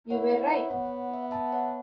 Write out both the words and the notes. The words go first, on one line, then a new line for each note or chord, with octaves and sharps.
You were right!
E4 C#5 F#5
B4 E5
C#5 F#5
B3 C#5 F#5
E5
F#5
E5 A5
C#5 F#5